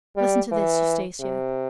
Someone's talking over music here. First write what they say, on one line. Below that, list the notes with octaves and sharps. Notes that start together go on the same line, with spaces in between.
Listen to this, Eustacia.
G3
E3
C3